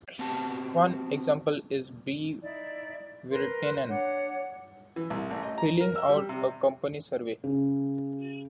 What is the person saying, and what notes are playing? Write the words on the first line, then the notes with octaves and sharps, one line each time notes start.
One example is B. Virtanen filling out a company survey.
B3 C4 F#4 G4 A5
D#4 E4 D5
A#4 B4 C6
D4 C#5 F#5
E3
C2
A1
D#5
A#5
A#4
E6
G3
C3
C#3